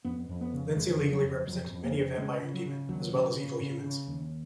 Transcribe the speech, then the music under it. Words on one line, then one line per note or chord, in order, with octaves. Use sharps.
Lindsey legally represented many a vampire and demon, as well as evil humans.
F2 B3
F2
B3
C#3
F2 G#3
C#3
F#3
F2
F2 F#3
F2
A#3
C#3
C#3 G#3
C#3
F#3
C#3
D#2 F#3
C#3
C#3
C#3
C#3
D#2